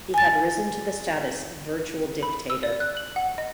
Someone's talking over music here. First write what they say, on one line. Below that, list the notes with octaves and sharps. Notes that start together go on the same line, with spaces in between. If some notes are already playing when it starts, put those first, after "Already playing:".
He had risen to the status of virtual dictator.
G#5 A6
B5
E6
D5
F#6
F#7
F#5
D#5